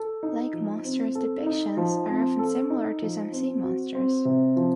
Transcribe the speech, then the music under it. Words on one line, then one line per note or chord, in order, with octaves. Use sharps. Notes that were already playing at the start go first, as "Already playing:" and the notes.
Lake monsters' depictions are often similar to some sea monsters.
Already playing: A4
D#4
F3
C4
A4
D#4
F3
C4
A4
D#4
F3
C4
F#4
C4
C3
F3